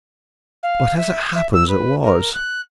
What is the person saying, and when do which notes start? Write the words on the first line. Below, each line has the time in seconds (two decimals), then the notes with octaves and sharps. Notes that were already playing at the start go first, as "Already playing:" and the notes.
But as it happens, it was.
0.63 F5
0.97 E5
1.35 E5
1.53 E6
1.68 B4
2.03 A#4
2.34 F#6